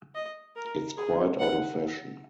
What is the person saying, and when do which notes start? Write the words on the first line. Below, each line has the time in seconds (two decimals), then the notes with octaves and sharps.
It's quite out of fashion.
0.15 D#5
0.56 A#4
0.98 G#4
1.39 F#5